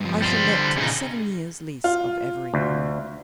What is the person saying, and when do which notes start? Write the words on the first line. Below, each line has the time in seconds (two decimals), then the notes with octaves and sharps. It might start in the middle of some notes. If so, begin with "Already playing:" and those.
I shall let a seven years' lease of Everingham.
0.01 G2 F3
0.22 G3 C5
0.44 D3
0.78 A#2 C#3 D4 D#4 G#4
1.84 F4
2.54 D2